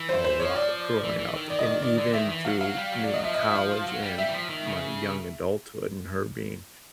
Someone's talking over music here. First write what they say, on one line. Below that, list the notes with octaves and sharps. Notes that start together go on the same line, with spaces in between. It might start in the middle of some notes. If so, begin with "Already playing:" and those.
a lot growing up. And even through me in college and my young adulthood and her being
Already playing: E3
C5
C5
F3 C#5
D5
E3
E3
D#3
D#3 D5
D#5
D5
D5
D3 D5
D#3 E5
E3
F#3 F5
F#3 F5
G3
F#3
F#3 D5
D#5
F3 E5
D#5
E5
E5
F5
F#3
G3
G3 E5
E3
F3
D#3
C#3